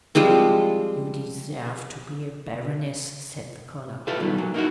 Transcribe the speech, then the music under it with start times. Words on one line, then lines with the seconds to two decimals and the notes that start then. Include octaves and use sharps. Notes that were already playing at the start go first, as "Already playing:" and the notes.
"You deserve to be a baroness," said the collar.
0.15 F3 G3 G#3 C4
4.07 F4 G4 A4 B4 E5 F5
4.20 G2 B2 D#3 F#3 G3
4.38 A#2 F#3
4.54 A#3 D#4 E4 F#4